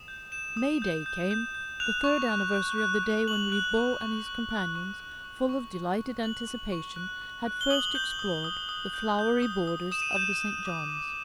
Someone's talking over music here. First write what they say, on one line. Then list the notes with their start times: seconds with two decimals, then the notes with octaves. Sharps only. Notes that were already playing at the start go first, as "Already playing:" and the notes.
May-day came, the third anniversary of the day when Ribaut and his companions, full of delighted anticipation, had first explored the flowery borders of the St. John's.
Already playing: D#6 E7
0.08 G6
0.32 G6 E7
0.57 D#6
0.82 G6
1.06 G6
1.31 G6
1.55 G6
1.80 F#6 F7
2.04 C#6
2.29 F#6
2.54 F#6
2.78 F#6
3.03 F#6
3.28 C#6 F#7
3.52 F#6
3.77 C#6
4.01 C#6
4.27 F#6
4.51 F#6
4.75 C#6
5.00 F#6
5.24 C#6
5.49 C#6
5.73 C#6
5.98 C#6
6.23 F#6 F#7
6.47 C#6
6.72 C#6
6.96 F#6
7.22 C#6
7.46 F#6
7.61 G7
7.70 D#6 F#7
7.95 G6
8.19 D#6
8.44 D#6
8.69 D#6
8.94 G6
9.19 G6
9.42 D#6
9.67 D#6
9.92 D#6 E7
10.02 D#7
10.13 G6 E7
10.41 G6
10.65 D6
10.90 D6